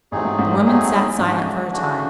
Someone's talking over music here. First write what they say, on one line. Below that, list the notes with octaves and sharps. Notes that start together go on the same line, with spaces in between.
The woman sat silent for a time.
A1 A2 F#3 A3 C4 D#4 G#4
G#2
G#2
G2
F#3 A3 C4 D#4 G#4
G#2 C#3 E3 A3 D4 F#4
C#3 E3 A3 D4 F#4